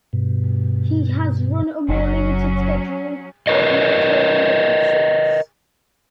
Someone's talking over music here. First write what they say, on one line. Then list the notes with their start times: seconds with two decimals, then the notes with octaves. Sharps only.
He has run a more limited schedule of no touring events since.
0.13 G2 B2
1.89 F#1 F#3 C#4
3.47 A#4 B4 C#5 D#5